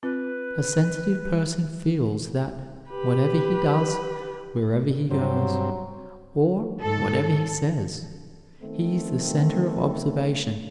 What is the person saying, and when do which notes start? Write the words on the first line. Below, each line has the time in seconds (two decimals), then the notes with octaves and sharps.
A sensitive person feels that, whatever he does, wherever he goes, or whatever he says, he is the center of observation.
0.03 C4 F4 B4
2.91 G4 B4
5.11 G2 F#3 C4
6.80 G#2 A4
8.61 D#3 A3 B3 C4